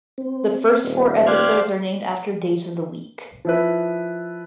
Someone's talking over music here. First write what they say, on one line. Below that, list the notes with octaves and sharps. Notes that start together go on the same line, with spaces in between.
The first four episodes are named after days of the week.
C4
D#1
G4 C5 D5 F5 F6 F#6 G#6
F3 E4 B4